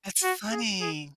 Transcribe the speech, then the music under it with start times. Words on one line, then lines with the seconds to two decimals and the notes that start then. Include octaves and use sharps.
That's funny.
0.23 F#4
0.51 G#4
0.81 G#4